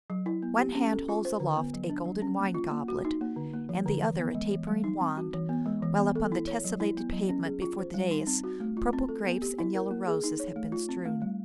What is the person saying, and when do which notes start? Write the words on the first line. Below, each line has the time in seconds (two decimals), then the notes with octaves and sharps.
One hand holds aloft a golden wine-goblet, and the other a tapering wand, while upon the tesselated pavement before the dais purple grapes and yellow roses have been strewn.
0.10 F#3
0.26 E4
0.42 B3
0.58 G4
0.75 C#4
0.91 A4
1.08 F4
1.25 C5
1.40 D3
1.57 B3
1.74 F#3
1.89 D4
2.05 F#3
2.22 C#4
2.39 A#3
2.54 F4
2.71 A#3
2.88 F#4
3.05 D#4
3.21 A#3
3.36 D3
3.53 A#3
3.69 F3
3.86 D3
4.02 E3
4.18 B3
4.35 G#3
4.51 E3
4.67 G3
4.84 D#4
5.01 C4
5.17 F#4
5.34 E3
5.49 B3
5.66 G#3
5.82 E3
5.98 B3
6.15 A4
6.32 E4
6.47 C#5
6.65 F#3
6.80 E4
6.97 B3
7.12 F#3
7.29 C#4
7.45 G#4
7.62 F4
7.79 C5
7.94 G3
8.11 D#4
8.27 C4
8.44 F#4
8.60 A3
8.77 F4
8.93 C4
9.09 A4
9.25 B3
9.42 G4
9.59 E4
9.75 A#4
9.91 A#3
10.07 G#4
10.24 D#4
10.40 C#5
10.56 A3
10.72 F4
10.89 C4
11.05 A3
11.22 G3